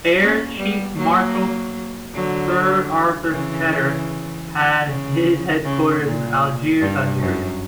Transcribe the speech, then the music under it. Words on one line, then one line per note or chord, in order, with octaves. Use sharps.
Air Chief Marshal Sir Arthur Tedder had his headquarters in Algiers, Algeria.
A#3 C#4
G3 B3
F#3 A#3
D3 F#3
C#3 E3
C#3
C#3
A#2
G2
F#2